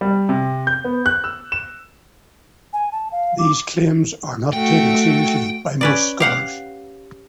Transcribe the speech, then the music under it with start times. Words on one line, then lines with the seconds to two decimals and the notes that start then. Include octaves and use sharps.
These claims are not taken seriously by most scholars.
0.01 G3
0.29 C3
0.67 G6
0.84 B3
1.06 F#6
1.24 E6
1.52 E7
2.73 G#5
2.92 A5
3.12 F5
3.39 D6
4.53 A3 F#4 G5
5.81 C#4 B4 D5
6.20 G4 F5 F#5